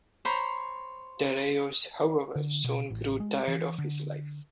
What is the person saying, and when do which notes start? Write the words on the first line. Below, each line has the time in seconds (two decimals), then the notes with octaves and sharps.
Dareios, however, soon grew tired of his life.
0.25 C5 C#5 A#5 B5
2.36 D3
2.64 B2
2.90 A1
3.20 G#3
3.48 E3
3.78 D3